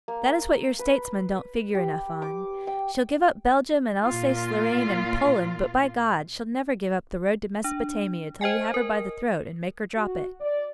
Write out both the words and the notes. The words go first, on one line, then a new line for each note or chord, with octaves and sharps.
That is what your statesmen don't figure enough on. She'll give up Belgium and Alsace-Lorraine and Poland, but by God! she'll never give up the road to Mesopotamia till you have her by the throat and make her drop it.
A#3
B4
G4
D6
G5
A#2 F4
D4
C5 D#5 G5 G#5
A#4
F#4
D5